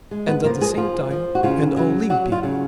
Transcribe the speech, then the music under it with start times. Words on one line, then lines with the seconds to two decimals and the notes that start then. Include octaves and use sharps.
And at the same time an Olympian.
0.11 G#3
0.28 B3 B4
0.44 F3 A#3 A#4
0.61 G#3 G#4
0.77 F3 F4
1.11 F3
1.35 F#4
1.43 C#3 F4
1.76 F#3
2.10 F#3 F#4
2.32 F4
2.43 C#3